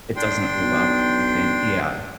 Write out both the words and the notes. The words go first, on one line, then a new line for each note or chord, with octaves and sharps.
It doesn't live up to the same Yeah,
D4 G5 C6
B1